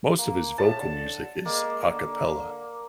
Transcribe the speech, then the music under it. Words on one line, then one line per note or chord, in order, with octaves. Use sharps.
Most of his vocal music is "a cappella".
A#3
A2 A5
D3
G#3 A#3
D3